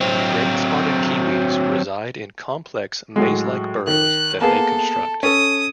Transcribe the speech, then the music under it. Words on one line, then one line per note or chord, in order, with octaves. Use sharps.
Great spotted kiwis reside in complex, maze-like burrows that they construct.
F#3 C4
A2 F#3 G#3
D#3 F#6
A#3 B3 G#4 A4
C#4 A4 D#6